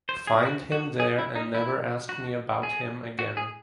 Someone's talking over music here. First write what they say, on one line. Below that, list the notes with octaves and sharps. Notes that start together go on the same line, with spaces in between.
Find him there and never ask me about him again!
C5
G#4
F#4
F#4
G#4
E4
D#4
E4
F#4
G#4
F#4
G#4